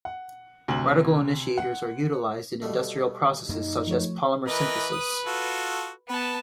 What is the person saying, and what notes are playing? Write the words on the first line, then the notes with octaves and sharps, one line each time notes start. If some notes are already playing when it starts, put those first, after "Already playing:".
Radical initiators are utilized in industrial processes such as polymer synthesis.
F#5
D2 C3 F#7
F#5
B2 G3 A3
F#2 A#3 D#4
F3 A3 C#5
E3 A#4 B4 D#5
D#6
F4 F#4 A4
B3 B4 A5